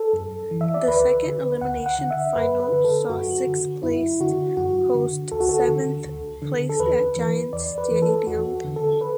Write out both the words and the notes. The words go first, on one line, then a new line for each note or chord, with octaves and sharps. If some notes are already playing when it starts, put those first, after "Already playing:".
The second elimination final saw sixth placed host seventh placed at Giants Stadium.
Already playing: A4
F#2
E3
E5
D5
D2 B4
D3
D2 F#5
F#5
D3
E5
F#2 B4
B4
D3
A4
F#2 F#4
D3
F#2 E4
D3 F#4
F#2 F#4
D3
D2 A4
F#4
A4
D3
D2
D3
A4
E2 B4
E3
E2 D5
B4
E3
A4
E2 F#4
D3
A4
B4